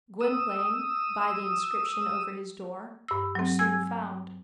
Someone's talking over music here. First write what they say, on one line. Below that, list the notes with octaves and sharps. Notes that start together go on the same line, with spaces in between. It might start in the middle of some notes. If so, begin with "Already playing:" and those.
Gwynplaine, by the inscription over his door, was soon found.
D#6 E6
G2 E6
F#3 C4
G#5 E6 G#6